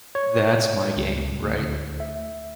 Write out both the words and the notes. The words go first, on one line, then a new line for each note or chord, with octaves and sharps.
that's my game, right?
C#5
C#2
D2
E5